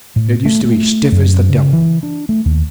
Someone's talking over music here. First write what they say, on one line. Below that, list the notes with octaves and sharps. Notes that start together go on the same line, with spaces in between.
It used to be stiff as the devil.
A2
A3
A3
F#2
C#3
E3
D4
A3
D#2